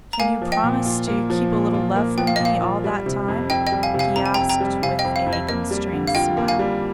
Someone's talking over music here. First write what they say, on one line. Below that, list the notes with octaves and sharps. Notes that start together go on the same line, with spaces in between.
'Can you promise to keep a little love for me all that time?' he asked with a constrained smile.
A#5
A#3 F5 G#5
F3
D#5 G5
A#2
F4
A#3
F3
A#2
F4
A#3
F3 G5
F5
D#5
A#2
F5
F4
G3
C3
F2
F2 D#5 G5
D#5 G5
G3
F5 G#5
C3
F5 G#5
F2 A#5
G#5
G5 A#5
F2
G5 A#5
G3
C3 F5 G#5
D#5 G5
F2
F5
F2
D#5
A#3 D#5
G3
D3
F5
F4 D#5 G5
A#3
F5 G#5
G3